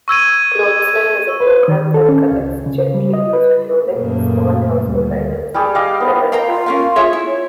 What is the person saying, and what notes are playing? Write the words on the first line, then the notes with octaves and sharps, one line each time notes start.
Clothesline is a program that collects gently used clothing, small household items and electronics.
C#6 E6 G#6 D#7
B4
D#3
A4
C#4
C#2
C#3
G3
D#5
B4
F#2 A#2 C#3 A3 A#3
D2 G3
G3 G4 G#4 D5
D#5 F5 G5 D6
B3 D#4
F5 G5 A#5
F4
C#4 A#4 F5
G#4 C#5 E5
E4
C#5